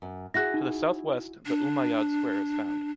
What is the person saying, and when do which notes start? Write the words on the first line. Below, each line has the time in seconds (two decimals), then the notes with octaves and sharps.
To the southwest, the Umayyad Square is found.
0.02 F#2
0.34 E4 F#4 G#4 F#6 A#6
0.54 D#4
1.45 D4